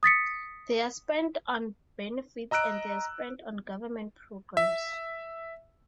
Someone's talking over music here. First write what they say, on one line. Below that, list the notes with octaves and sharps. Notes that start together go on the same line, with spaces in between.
They're spent on benefits and they're spent on government programs.
D#6 A6 B6 C#7
D#5 A#5 E6 F#6 D7
E5